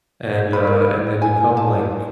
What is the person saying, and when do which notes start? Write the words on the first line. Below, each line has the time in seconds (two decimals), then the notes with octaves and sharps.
and, uh, and they become, like,
0.53 B5
0.67 A#4
1.22 G#5
1.57 A5